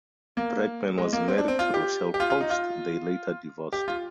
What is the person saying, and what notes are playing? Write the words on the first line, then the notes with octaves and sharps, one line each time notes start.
Brackman was married to Rochelle Post; they later divorced.
A#3
G#3
A#3
C4
D4
C4
F4
G4
G4
F4
F4
D#4
F4
G4
F4